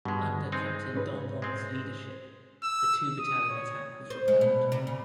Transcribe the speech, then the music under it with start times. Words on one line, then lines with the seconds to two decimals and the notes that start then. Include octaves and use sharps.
Under Captain Donlon's leadership, the two-battalion attack was repelled.
0.05 G2 B2 G#3
0.52 G#3 C4 D#4
0.93 G#2 C#4 B4
1.42 G#3 C4
2.63 E6
3.19 D#6
3.50 C#5
4.10 C5
4.28 G#3
4.41 B2
4.72 C3
4.87 C#3